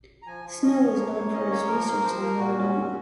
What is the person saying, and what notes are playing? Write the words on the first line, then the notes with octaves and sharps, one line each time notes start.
Snow is known for his research on melanoma.
A#5
F3 G#5
F3
C#4 D#5
F3 C#5
A#3
A#3
C#4 D#5
A#3 C#5
F3 A#4
A#3 A#4
F3 C5
A#3 A#4
A#2 F#4
C#4
A#2